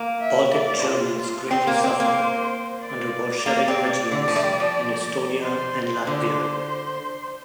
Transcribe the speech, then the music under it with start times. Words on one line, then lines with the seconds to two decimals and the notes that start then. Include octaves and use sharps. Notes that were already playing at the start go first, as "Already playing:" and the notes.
Baltic Germans greatly suffered under Bolshevik regimes in Estonia and Latvia.
Already playing: A#3
0.21 E5
0.54 D5
0.86 F4
1.51 C4 C5
1.67 A#3
1.84 C4
2.00 A#3
2.82 D5
3.46 A#3
3.68 C4
4.12 D3
4.28 F3
4.36 A3
4.44 G3
4.60 F3
5.41 C5
6.07 D3 C5